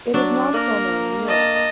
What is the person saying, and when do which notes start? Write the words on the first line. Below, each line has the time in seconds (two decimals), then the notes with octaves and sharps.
It is not as well known in Europe.
0.14 F#3 D4
0.54 A#3 A#4
1.28 D#5 A5